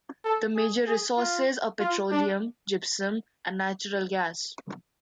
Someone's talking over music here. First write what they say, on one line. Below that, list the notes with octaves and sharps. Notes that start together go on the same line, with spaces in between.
The major resources are petroleum, gypsum and natural gas.
A4
G#4
G#4
F4
F4
D4